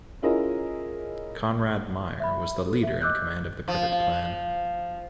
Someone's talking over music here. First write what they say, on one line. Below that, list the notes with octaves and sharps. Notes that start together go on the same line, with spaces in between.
Konrad Meyer was the leader in command of the 'Pripet plan'.
C#4 E4 F4 G#4 A#4 D#5
E5 B5
A4
E5
D#5 D6 E6 F#6 G6
F3